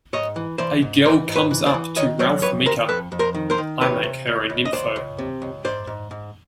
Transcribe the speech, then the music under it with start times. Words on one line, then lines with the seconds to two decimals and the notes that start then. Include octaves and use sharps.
A girl comes up to Ralph Meeker, I make her a nympho.
0.13 G#2 C#5 D#5
0.36 E3
0.58 E3 C5 D5
0.82 G#2
1.05 E3 A#4 C5
1.28 G#2
1.35 B4 C#5
1.51 E3
1.66 C5 D5
1.74 E3
1.96 D#3 C#5 D#5
2.19 F#3 C5 D5
2.42 F2 B4 C#5
2.65 D#3 A#4 C5
2.89 F2 A4 B4
3.12 F2
3.19 A#4 C5
3.35 D#3
3.50 A#4 C5
3.58 D#3
3.81 C3 B4 C#5
4.03 C3
4.27 C#2
4.50 C#2
4.65 D#5
4.72 C#2 C5 D5
4.96 C#2
5.18 C3
5.42 C#2
5.65 G#2 C5 D5
5.87 G#2
6.11 G#2